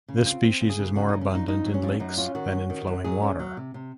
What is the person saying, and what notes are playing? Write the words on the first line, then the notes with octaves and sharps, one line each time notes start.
This species is more abundant in lakes than in flowing water.
C#3
F4
C4
C4
C#3
G#4
C#3
C#3 F#4
C#3 D#4
C#4
F2 D#4
F2 D#4
F#3
C#4
F2
F#2 D#4
C#4 F4
D#3 F#4
C#4
D#3
F#2
F#3 G#4
C#4
F#3
C3
C3